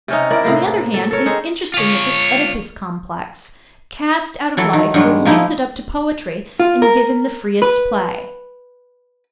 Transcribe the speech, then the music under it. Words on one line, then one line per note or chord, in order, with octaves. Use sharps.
On the other hand, it is interesting that this Oedipus-complex, cast out of life, was yielded up to poetry and given the freest play.
C3 C#4 D#4
E4 A#4 D5
A2 C3 A#3 G4
A4
A4 A#4 C#5
C4 D#4 G#4
F4 C#5
E3 F#3 A4
D#3
G2 F#3 G#3
F3 A#3 D#4 E4
F4
A#4
B4